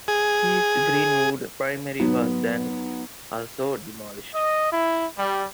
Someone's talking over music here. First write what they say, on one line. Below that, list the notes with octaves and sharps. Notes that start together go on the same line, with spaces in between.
East Greenwood Primary was then also demolished.
G#4
G#2 F#3 B3
D#5
E4
G3